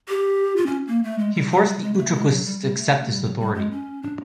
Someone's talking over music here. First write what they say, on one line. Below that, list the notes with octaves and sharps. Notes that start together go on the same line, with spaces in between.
He forced the Utraquists to accept his authority.
G4
F4
C#4
A#3
A3
G#3
G3
F#3
G3
G#3
A#3
A3
G#3
F#3
G3
G3
A3
G3
F#3
G3
G#3
C#4
D4